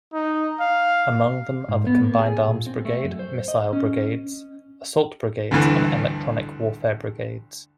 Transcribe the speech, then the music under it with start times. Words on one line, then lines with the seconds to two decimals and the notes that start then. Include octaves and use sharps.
Among them are the combined-arms brigade, missile brigades, assault brigades and electronic warfare brigades.
0.13 D#4
0.60 F5
1.69 G#2
1.87 B3
2.04 A#3
2.19 G#4
2.48 A#2
2.67 C4
2.85 A3
3.04 F#2
3.19 C5
3.48 D#5
3.73 C#4
5.51 D2 G2 E3 A3